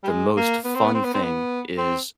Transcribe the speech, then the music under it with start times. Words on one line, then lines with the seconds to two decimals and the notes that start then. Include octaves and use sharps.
the most fun thing is
0.04 G3
0.09 G#3
0.37 A#3
0.65 B3
0.75 C4
0.84 B3
0.94 C4
1.04 B3
1.14 C4
1.23 B3
1.78 C4